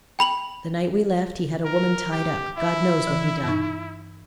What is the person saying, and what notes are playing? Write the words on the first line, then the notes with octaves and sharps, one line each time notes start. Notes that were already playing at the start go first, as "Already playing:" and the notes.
The night we left, he had a woman tied up--God knows what he done.
G5 B5 F7 F#7
A#4
G4
E4 E5
E3
G2 D#4